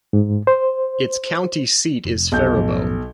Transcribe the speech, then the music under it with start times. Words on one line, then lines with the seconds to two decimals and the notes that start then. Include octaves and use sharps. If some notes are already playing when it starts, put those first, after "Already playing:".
Its county seat is Faribault.
0.13 G#2
0.47 C5
2.05 F1
2.32 B1 G6
2.56 F#2 A2 F3